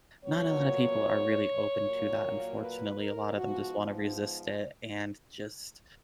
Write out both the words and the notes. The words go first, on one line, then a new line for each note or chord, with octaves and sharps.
not a lot of people are really open to that, unfortunately, a lot of them just wanna resist it, and just
A#2 F#3 B3 C#5
A#2 F#3 A#3
B4
A#4
G#2 F3 B3 F#4